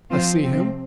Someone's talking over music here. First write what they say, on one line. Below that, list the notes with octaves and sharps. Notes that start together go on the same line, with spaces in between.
I see him!'
F3 C4 F4 C5
C3 F3 C4